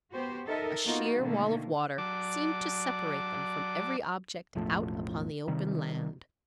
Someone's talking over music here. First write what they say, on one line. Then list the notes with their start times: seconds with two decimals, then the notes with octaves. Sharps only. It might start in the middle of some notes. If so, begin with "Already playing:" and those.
A sheer wall of water seemed to separate them from every object out upon the open land.
0.10 B3 F#4 G4 C5
0.44 D#4 A4 A#4 D#5 E5
0.84 A#3 B3 D#4 F4 F#4
1.20 B2 D3 D#3 A3 A#3
1.98 F#3 D5 A5 D6
4.55 E1 A1 F3 A3
5.48 C3 D#3 G3